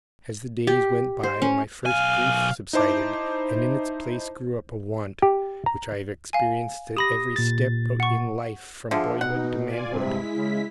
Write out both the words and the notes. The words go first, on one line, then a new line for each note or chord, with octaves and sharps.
As the days went by my first grief subsided, and in its place grew up a want which I have experienced at every step in life from boyhood to manhood.
G4
C5
C#4
B1 F5 G#5
D#4 E4 C5 A5 D6
G4
A#5
F5 G#5
G4 B5 D#6 A#6
A#2 A6
F#5 C#6
D3 F3 G#4 E5
B2 D#4 F#5
F4 D5 G#5
G2 C3 G#3 E4 B6
C#3